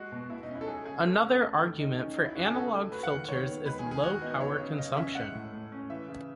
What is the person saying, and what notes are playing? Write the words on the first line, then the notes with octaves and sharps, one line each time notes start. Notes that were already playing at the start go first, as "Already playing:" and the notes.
Another argument for analog filters is low power consumption.
Already playing: G#3 F#4
B2
B2 E4
D#4
C#4
E4
A4
F#3 G#4
C#3 G#4
C#3 A4
C#4
A3
D#3
D#3 D#4
C#4
F#3 D#4
E4
C#3 F#4
G#4
C#4 A4
A3
F#3 B4
F#5
D#3
D#3 C#5
B3
G#3 B4
G#4
D#3
G#4
D#3 F#4
B3 D#4
F#3 C#5
C#3
C#3 D#5
C#4 E5
G#3 F#5
A2
A2
C#4
E3 E5
C#3